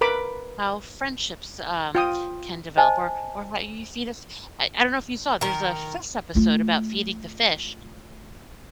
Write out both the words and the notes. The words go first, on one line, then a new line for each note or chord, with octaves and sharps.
how friendships, um, can develop, or or how you feed us I I don't know if you saw it, there's a fish episode about feeding the fish.
A#4 B4 B5 D6
F4 G5 D#6
C5 D#5 G#5 A5
D#3 A#4
A3 F4